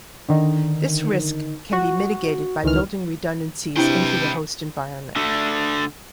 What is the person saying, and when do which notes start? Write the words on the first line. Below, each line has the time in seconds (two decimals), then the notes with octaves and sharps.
This risk can be mitigated by building redundancies into the host environment.
0.29 D3 D#3 D#4
1.73 F#4
2.63 C#2 D#3 E3 F6
3.77 C3 D4 E4 B4 G5
5.16 D3 A3